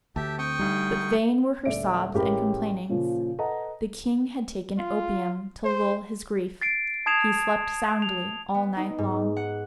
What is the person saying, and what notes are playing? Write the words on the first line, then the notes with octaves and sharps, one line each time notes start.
But vain were her sobs and complainings; the king had taken opium to lull his grief; he slept soundly all night long.
D2 G4 E5 A5
C4 G5 C#6 D#6
D2 G3 D#4
D#1 D2 D5 E5 D7
A1 G#3 G4 A#4 C#5 B5
A#2 C#3 F3
A4 B4 D#5 F#5 A5 A#5
F4
C5
A6 C7 D7
A5 D#6 G#6 C7 E7 F7
F7
B3
D#4
G#2
F#5